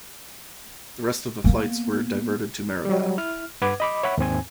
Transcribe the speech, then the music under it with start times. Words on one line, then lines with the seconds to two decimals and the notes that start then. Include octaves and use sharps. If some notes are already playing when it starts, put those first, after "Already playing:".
The rest of the flights were diverted to Mehrabad.
1.44 A#3 B3
2.85 F#3 G3
3.18 E4 F6
3.62 G2 B4 F#5 D6 G#6
3.80 D#5 B5 D6
4.03 C#5 E5 F#5 B5
4.18 D#2 G#2 C4 G#5